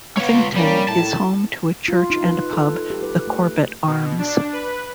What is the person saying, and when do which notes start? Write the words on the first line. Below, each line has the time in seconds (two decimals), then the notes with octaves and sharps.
Uffington is home to a church and a pub, the Corbet Arms.
0.17 B3 F4 C#5
0.56 G3 A#3 C#4
0.88 A2 A5
1.88 F4
2.10 D#4
2.25 B4
2.53 A4
2.90 G4
3.03 B4
3.27 A3
3.87 B2
4.18 D4
4.53 B4